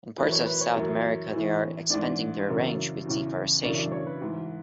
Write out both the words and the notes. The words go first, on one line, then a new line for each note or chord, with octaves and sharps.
In parts of South America, they are expanding their range with deforestation.
F#2 E3 B4
C#5
B4
C#5
F#2 E3
A2 E3
G#2 E3 D4 D5
F#2 C#3 E3
E2 C#3 E3
F#2 C#3 E3 D4 D5
D4 D5
C#5
B4
G#2 E3